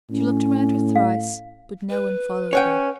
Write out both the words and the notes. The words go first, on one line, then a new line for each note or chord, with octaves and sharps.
She looked round her thrice, but no one followed her.
A2 C#4
F5
B4
C#4 C#5 F#5 G5